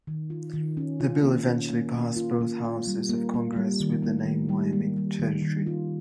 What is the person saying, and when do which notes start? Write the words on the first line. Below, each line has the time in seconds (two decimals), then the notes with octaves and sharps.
The bill eventually passed both houses of Congress with the name "Wyoming Territory".
0.07 D#3
0.30 F4
0.53 D#3
0.77 C#4
1.00 F4
1.23 A#3
1.47 C#4
1.70 A#3
1.94 A#3
2.17 F4
2.41 A#3
2.64 F4
2.87 G3
3.09 A#3
3.34 A#3
3.56 G3
3.80 D#3
4.03 A#3
4.26 D#3
4.49 G3
4.73 A#3
4.97 G3
5.19 D#3
5.42 D#3
5.66 F4